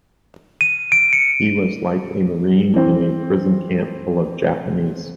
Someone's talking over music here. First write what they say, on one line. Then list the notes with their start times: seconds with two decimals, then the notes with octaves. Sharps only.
He was like a marine in a prison camp full of Japanese.
0.61 D#7
0.92 D7
1.13 C#7
2.74 E3 C4